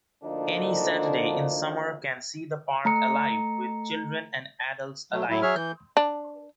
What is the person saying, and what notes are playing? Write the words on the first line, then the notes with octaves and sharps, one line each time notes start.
Any Saturday in summer can see the park alive with children and adults alike.
D2 D3 F3 A#3 D4 D#4
A3 A#5 C#7
F#3 A3
A2 F#3 E4
F#3 G#4 C#5 E5 F6
E3 G6
D4